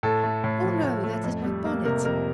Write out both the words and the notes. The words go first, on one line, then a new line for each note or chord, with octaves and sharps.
'Oh no! that is my bonnet.
A2 A4
A3
A2
F3
A2
A3
F2
G3
A#3
C3 A#4
F2 A#4